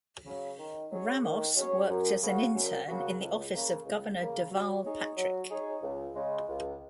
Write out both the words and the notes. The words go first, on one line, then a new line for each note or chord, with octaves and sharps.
Ramos worked as an intern in the office of Governor Deval Patrick.
C#3 F#3
D#3
F#3 C#4 G#4 C#5
D#3
F#3 C#4 G#4 C#5
F#2
C#3 A#3 F#4
F#2
C#3 A#3 F#4
C#2
C#3 A#3
C#2
C#3 A#3
F#3
D#4 G#4 C#5
F#3
D#4 G#4 C#5
C#2
C#3 G#3
C#2